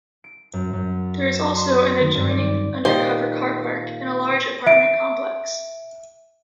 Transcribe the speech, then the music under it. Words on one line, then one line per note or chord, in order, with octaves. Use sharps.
There is also an adjoining undercover carpark and a large apartment complex.
D7
F#2
F#2
E7
C6
D#3
G2
D5
A#2 D#3 D#4 G4 C5 D5
E5 D7